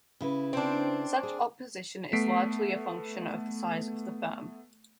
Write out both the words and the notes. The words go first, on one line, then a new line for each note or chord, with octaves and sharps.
Such opposition is largely a function of the size of the firm.
C#3 E4 B4
C4 D4
G#4
A3 B3 B6 C7 D7